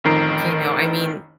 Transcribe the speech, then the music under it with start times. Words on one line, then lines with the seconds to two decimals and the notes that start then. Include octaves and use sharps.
You know, I mean,
0.04 A1 F2 D#3 A#5 C7